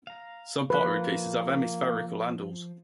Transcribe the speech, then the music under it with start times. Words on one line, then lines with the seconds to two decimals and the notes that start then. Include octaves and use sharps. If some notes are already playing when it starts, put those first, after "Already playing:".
Some pottery pieces have hemispherical handles.
0.07 F5 A#5
0.70 F3 A#3 B4